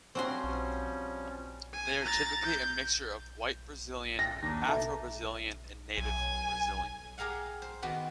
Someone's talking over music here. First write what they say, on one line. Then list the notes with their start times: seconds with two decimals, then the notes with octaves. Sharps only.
They are typically a mixture of white Brazilian, Afro-Brazilian and Native Brazilian.
0.15 F3 G3 C4 C#4 F#4 C6
1.73 G#5
2.04 A#5 A6
2.43 G6
4.19 G5 A#6
4.43 D#2 D4 D#4
4.67 B2 A4 E5 A5
5.98 B1 G#5
7.18 G4 G#4 A#4 F5 F#5
7.62 C5
7.82 D#3 B3 F#4 G4 B4